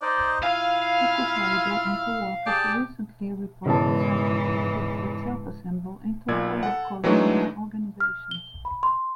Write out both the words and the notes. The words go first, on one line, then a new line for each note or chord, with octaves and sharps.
Takuzo Aida and co-workers recently reported cyclic peptides that self-assemble into polar columnar organizations.
D#4 C5 D5 D#5
E4 F4 F5 G#5
G4 G#4 D5 A5
E1 E2 G#2 C#3 E3 A5
B1 A#2 D5 G#6
A4 F#5
E3 F#3 G#3 A3 D4 D#4
F6
G7
B5
C6